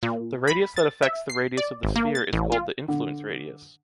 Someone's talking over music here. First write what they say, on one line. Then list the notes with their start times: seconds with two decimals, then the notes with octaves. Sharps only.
The radius that affects the radius of the sphere is called the “influence radius”.
0.03 A#2
0.47 B5
0.76 A6
1.02 E5
1.30 C7
1.57 D5
1.83 G#1
1.96 A#3
2.15 A6
2.33 A1
2.52 F4
2.88 D3